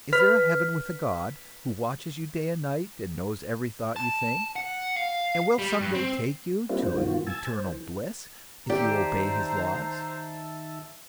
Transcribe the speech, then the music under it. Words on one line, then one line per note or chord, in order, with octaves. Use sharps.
Is there a heaven with a God, who watches you day and night, and knows every thought you think, and will some day take you to eternal bliss if you obey his laws?
B4 F6 B6
A5
F#5
F5
G3
G2
C4
G3 A#3 C4 D4 E4 F4
F#2 F3 D4 C5
G2 B2 D#3 E3 F4 F#4
G#5 A5 E6 G#6 A6
C5
E3
D#3 G4 C5 D5 E5 A5 A#5